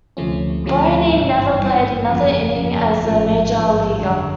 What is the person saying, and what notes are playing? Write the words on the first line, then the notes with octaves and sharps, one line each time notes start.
Breining never played another inning as a Major Leaguer.
D2 C3 F3 A3 C#4
D2 C3 F3 A3 C#4
G#1 G2 E3
G#1 G2 E3
G1 F2 C#3 F3
G1 F2 C#3 F3
A1 G#2 F3 G#3 C#4
A1 G#2 F3 G#3 C#4
G1 F2 D3 F#3